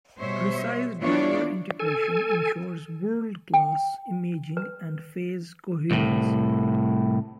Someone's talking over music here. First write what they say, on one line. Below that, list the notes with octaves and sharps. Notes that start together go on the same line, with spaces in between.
Precise driver integration ensures world-class imaging and phase coherence.
B2 G3 C5 C#5 E5
E3 B3 D4 F4 C#5 D5
A4 G#5
G5
B4
C2 A2